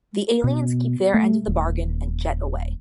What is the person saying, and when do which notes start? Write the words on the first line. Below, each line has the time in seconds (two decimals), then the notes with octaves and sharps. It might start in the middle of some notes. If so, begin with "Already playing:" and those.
The aliens keep their end of the bargain and jet away.
0.44 B2
1.14 A3
1.47 D#1